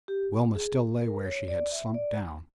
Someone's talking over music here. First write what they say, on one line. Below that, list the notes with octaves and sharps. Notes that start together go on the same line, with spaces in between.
Wilma still lay where she had slumped down.
G4
G#4
A#4
C#5
D5
E5
D5